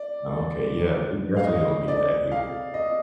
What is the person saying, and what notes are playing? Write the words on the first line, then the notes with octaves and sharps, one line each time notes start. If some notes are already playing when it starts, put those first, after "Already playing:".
Oh, okay. Yeah. We definitely don't do that here.
Already playing: D5
F5
D#5
D5
F5
D#5